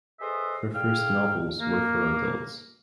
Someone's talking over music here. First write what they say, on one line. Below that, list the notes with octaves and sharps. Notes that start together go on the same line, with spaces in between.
Her first novels were for adults.
G#4 A4 B4 C5 D#5 E5
D3 G#4 F5 G5 F6
A#3